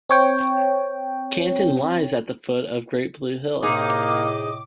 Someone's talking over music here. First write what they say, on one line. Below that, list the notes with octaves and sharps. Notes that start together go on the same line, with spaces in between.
Canton lies at the foot of Great Blue Hill.
C4 C#5 G5
A2 C3 A#3 C4 D#4 G#4 D#5 D6